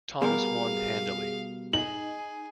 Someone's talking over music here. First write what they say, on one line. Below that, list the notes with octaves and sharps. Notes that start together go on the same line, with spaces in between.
Thomas won handily.
B2 G3 G#4 A#4 F5
D#4 G#4 F#7